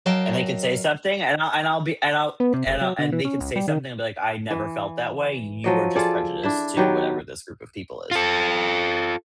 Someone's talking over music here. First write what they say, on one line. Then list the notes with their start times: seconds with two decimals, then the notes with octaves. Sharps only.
and they can say something, and I'll and I'll be and I'll and I and they could say something and be like, "I never felt that way, you are just prejudiced to whatever this group of people is,"
0.06 F#3 A#4 D#5 F5 G5 A5
2.40 B3
2.54 C3
2.67 F1
2.81 F#3
2.99 D3
3.12 E3
3.25 C#4
3.41 C#2
3.56 G3
3.68 D#3
4.50 E3
5.64 F3 F#3 D#5
5.96 F4 G#4 A4 D5
6.43 D4 E4 E5
6.77 D#3 F#3 B3 G4
8.11 F4 A4